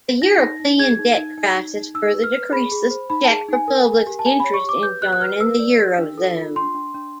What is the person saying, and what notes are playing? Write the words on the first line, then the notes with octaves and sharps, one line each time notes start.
The European debt crisis further decreased the Czech Republic's interest in joining the eurozone.
D#4 A#6
D#4 A#6
D#4
G#4 G#6
D#4
D#4
D#4
D#4
D#4
D#4 E6
B4
F6
B4
G#4 B5
G#4
C5
D#4 B5
G#4 A5
D#4 G#5
A#4
A#4
G4
A5
G4 G#5
C#5 B5
C#6
G4 D6
B4 G6
G4 F#6
F#6
B4 F6
B4 E6
D5
G4
D4
A4
F4
D4 C6
D4
D4